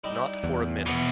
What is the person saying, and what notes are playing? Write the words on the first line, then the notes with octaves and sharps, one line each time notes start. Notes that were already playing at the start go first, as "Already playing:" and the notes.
Not for a minute.
G3 D#4 E4
E2
B2 E3